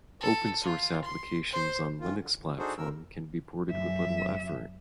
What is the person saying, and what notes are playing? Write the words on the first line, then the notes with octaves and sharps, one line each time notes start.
Open source applications on Linux Platform can be ported with little effort.
A4
F4
C6
C5
F#2 D#3 F4
D3
E2
D4 D#4 F#4 G#4 A4 C5
F2 A2 C#3 A#4 E6
F#2 E5